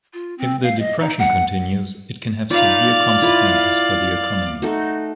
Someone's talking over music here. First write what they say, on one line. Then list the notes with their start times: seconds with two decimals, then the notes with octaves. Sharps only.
If the depression continues, it can have severe consequences for the economy.
0.13 F4
0.38 C4
0.63 F5
0.79 D#5
0.99 D#4
1.19 F#5
2.50 D#4 F4 B4 D5 F5
3.22 E4 F4 B4
4.62 A3 D#4 F#4